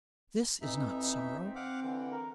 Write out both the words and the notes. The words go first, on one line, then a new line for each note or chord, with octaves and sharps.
This is not sorrow.
F2 E3 D#4 E5
C4
F5 F#5 D6
D3 E3
A#4